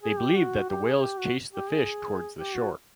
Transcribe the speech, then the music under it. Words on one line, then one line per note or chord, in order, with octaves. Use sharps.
They believed that the whales chased the fish towards the shore.
G#4
G4
F#4
G4
G#4
G4
F#4
G4
G#4
G4
F#4